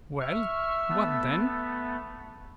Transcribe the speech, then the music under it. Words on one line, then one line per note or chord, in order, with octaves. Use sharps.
"Well, what then?"
E5 C#6 F6
A3 B3